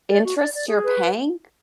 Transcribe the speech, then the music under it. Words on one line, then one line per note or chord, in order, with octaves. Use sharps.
interest you're paying
D5
F#4
D5
D5
G#4
B4